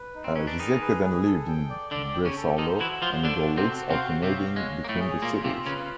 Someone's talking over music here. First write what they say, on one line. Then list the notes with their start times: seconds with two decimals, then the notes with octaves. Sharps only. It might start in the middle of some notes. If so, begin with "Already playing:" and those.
Giseke then lived in Breslau and Görlitz, alternating between the cities.
Already playing: B4
0.15 D#4
0.24 C4
0.36 C#4 B4
0.47 D4
0.59 D#3 D#4 G#4
0.81 B4
1.04 G#4
1.25 A4
1.47 G5
1.70 D5
1.91 D3 D4 D5
2.14 G5
2.25 C#3 C#4
2.36 A4
2.58 D#3 D#4 C5
2.80 E3 E4 F#4
3.02 F3 F4 C5
3.23 D3 D4 A4
3.46 F#4
3.57 C3 C4
3.68 F#4
3.90 C3 C4 F5
4.12 C#5
4.23 C3 C4
4.35 F5
4.56 G#3 C#5
4.78 C#5
4.84 A#3
4.89 A2 A3
5.00 G#4
5.22 A#2 A#3 F4
5.44 C3 C4 F4
5.66 C#3 C#4 B4